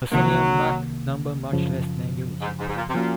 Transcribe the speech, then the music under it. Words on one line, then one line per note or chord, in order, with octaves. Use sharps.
Assuming a Mach number much less than unity.
C2 C3 D#3 F#3 A#3
F#2 C#3 F3
G#2
G#2
G#2
A#2
C3
A#2 F3 A#3 C#4 F#4